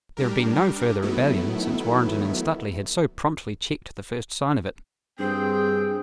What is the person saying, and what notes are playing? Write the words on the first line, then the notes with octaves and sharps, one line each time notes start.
There had been no further rebellion since Warrenton and Stuteley had so promptly checked the first sign of it.
G3 D4 G4 A#4
D#3 F#3 A3 B3 E4
G2 C4 G#4 G5